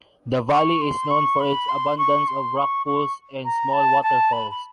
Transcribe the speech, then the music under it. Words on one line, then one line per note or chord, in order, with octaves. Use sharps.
The valley is known for its abundance of rock pools and small waterfalls.
C#6
C6
C#6
B5
C6
C#6
C6
C#6
C#6
A#5
A5
A5
B5
B5